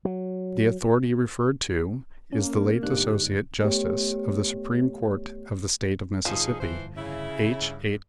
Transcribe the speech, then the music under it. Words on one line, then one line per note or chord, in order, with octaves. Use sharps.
The authority referred to is the late Associate Justice of the Supreme Court of the State of Mississippi, H.H.
F#3
A#3 C#4
G1 G#2 D4 G4 F#6
A3 B3 G4 C#5
G1 F2 F3 C#4 D#4 G#4
E3 C5
C#3 E4
G2